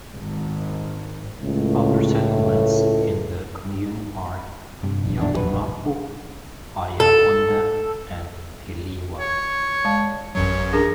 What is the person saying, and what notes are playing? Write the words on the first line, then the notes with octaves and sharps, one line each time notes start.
Other settlements in the commune are: Yalimapo, Ayawande, and Piliwa.
G#1
C#2 A2
G2 C3
E1 A#1 F2
E2 D4
F#2 G4 B4
A4
C#5
G#3 F5 A5
A1 F#2 F#3 C#5
D4 G#4 A#4 A#5